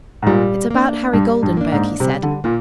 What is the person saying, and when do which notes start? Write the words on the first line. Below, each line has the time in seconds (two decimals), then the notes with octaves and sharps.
"It's about Harry Goldenburg," he said.
0.22 G#2
0.26 A#2 G3
0.70 A#3 D4
1.13 G2 G3
1.43 G2
1.57 A#3 D4
1.72 G#2
2.00 C3 G3
2.23 D3
2.44 A#2 A#3